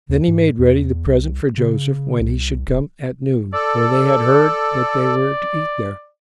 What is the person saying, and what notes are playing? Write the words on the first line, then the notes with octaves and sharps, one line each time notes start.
Then they made ready the present for Joseph, when he should come at noon, for they had heard that they were to eat there.
D#2
G#2
E2
C2
C#3
C2
D#1
A4 D5